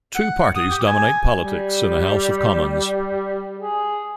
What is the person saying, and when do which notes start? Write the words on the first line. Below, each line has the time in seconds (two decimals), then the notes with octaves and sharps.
Two parties dominate politics in the House of Commons.
0.15 F#5
0.56 D#6
0.71 G4
0.87 G#5
1.36 G3
3.59 G#4